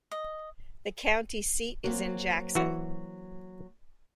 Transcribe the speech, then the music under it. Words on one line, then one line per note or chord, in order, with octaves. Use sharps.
The county seat is Jackson.
D#5
F#3 A#3 C4
E3 F#4